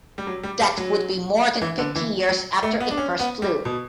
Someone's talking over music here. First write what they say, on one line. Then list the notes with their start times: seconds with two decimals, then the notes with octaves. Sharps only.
That would be more than fifty years after it first flew.
0.18 G3
0.27 F#3
0.43 G3
0.60 G3
0.78 F#3
1.62 E3
1.79 D3
1.95 E3
2.29 F#3
2.63 A3
2.80 B3
2.91 D4
2.97 C#4
3.19 B3
3.42 G3
3.65 B2